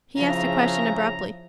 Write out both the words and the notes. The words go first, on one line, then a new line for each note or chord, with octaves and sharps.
He asked a question abruptly.
C#3 F3 E4 A#5